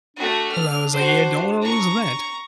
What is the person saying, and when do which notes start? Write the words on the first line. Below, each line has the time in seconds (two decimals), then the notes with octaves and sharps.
And I was, like, "Yeah, don't wanna lose that."
0.16 A3 D4 F#4
0.51 F6
0.93 F#4 C5
1.61 A#5 C#6